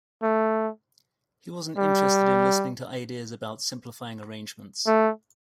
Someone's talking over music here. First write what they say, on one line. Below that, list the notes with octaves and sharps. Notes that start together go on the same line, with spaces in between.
He wasn't interested in listening to ideas about simplifying arrangements.
A3
G3
A3